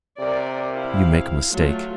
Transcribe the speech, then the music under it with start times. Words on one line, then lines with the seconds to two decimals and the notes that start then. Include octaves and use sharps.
"You make a mistake."
0.19 C3 A#4 D5
0.76 E4 F5
1.51 F#3 A3 F4